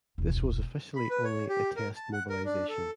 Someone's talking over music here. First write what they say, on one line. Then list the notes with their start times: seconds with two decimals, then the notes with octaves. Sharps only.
This was officially only a "test mobilisation".
0.18 E1 C#2
0.96 B5
1.10 B4
1.24 C#5
1.49 G4
1.76 A#4
1.96 A5
2.13 F#5
2.29 A#4
2.45 D4
2.69 A4